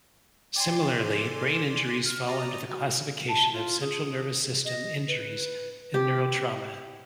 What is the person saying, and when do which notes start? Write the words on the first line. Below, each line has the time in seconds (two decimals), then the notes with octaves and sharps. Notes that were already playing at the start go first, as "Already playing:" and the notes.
Similarly, brain injuries fall under the classification of central nervous system injuries and neurotrauma.
0.56 D5 G5 G#5 C6
1.13 A4
2.05 F6
2.28 F#4 D5 A#5 D#6
3.28 A5
3.52 F4
3.80 G#4
4.65 D#5
5.08 B4
5.94 G4